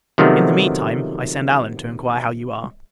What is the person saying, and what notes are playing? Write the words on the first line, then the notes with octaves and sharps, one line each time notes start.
In the mean time, I send Allen to inquire how you are.
C3 D#3 F3 F#3 A3 B3